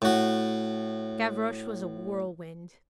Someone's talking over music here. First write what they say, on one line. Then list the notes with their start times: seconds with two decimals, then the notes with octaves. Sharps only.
Gavroche was a whirlwind.
0.02 A2 F#4